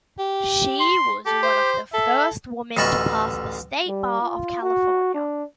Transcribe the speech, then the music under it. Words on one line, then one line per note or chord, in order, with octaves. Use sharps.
She was one of the first woman to pass the State Bar of California.
G4
C6
G4 A4
C5
A4 E5
A1 D2 D#5 A5 B5 C#6
G3
F4
F#4
D4